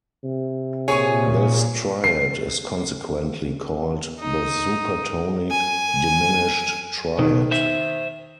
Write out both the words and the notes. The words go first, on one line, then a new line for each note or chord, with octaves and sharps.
This triad is consequently called the supertonic diminished triad.
C3
A#2 G#4 C#5 G#5 C#6
C7
D#4
G#5
B2 D#3
C5 E5